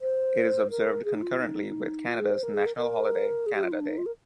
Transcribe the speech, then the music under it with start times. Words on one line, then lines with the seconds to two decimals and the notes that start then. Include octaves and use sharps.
It is observed concurrently with Canada's national holiday, Canada Day.
0.01 C5
0.70 A#4
1.05 G#4
1.14 D#4
1.22 F4
1.40 D#4
2.08 F4
2.19 G#4
2.31 C5
2.43 A#4
2.54 G#4
2.66 A#4
2.77 A#4
3.46 G#4
3.55 G4
3.63 F4
3.72 D#4
3.81 D4
3.89 D#4
3.98 F4
4.06 A#4